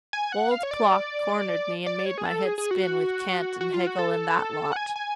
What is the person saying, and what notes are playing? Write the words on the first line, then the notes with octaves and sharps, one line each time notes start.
Old Plock cornered me and made my head spin with Kant and Hegel and that lot.'
G#5
F#5
F5
C#5
D5
D5
C#5
G#4
A4
G#4
G#4
F#4
F#4
F#4
F4
F#4
A4
F#5
G#5
G#5